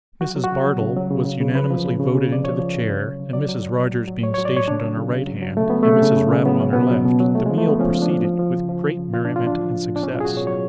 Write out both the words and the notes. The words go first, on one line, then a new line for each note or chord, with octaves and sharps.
Mrs. Bardell was unanimously voted into the chair, and Mrs. Rogers being stationed on her right hand, and Mrs. Raddle on her left, the meal proceeded with great merriment and success.
F#3 F#4
F#3
F#4
C#3
F#3
C#3
F#3
C#3
C#3
C#3
F3 B4
F3
C#3
C#3
C#3
F3 D5
F3 C#5
F3
C#3
C#3
F#3
C#3
F#3 D5
F#3
F#3
F#3
A2
F#3
A2 C#5
C#5
F#3
D5
A2 C#5
C#3 D4
F#3
C#3
C#3
F#3
F#3
C#3 A3
F#3 B3
C#3 A3
C#3
C#3
C#3
F#3 B3
B2 C#4
B2 B3
F#3
B2
F#3
F3 A3
G#3
F3
A3
C#3 B3
F3 C#4
F3
D4
F3
F3
F3
C#3
F3
F3
C#3
F3 F4
D4
A2
F4
F3 D4
F3
F3
A2
D4
B2 C#4
F4
F#3 G#4
F#4
B2 C#5
F#3 C#5